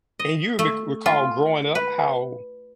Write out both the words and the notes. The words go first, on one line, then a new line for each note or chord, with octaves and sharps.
and you re recall growing up how
D#5
A3
F4
B4